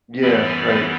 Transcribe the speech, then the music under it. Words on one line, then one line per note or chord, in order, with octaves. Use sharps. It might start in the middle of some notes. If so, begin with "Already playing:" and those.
Yeah, right.
F#2 E3 G3 B3 D5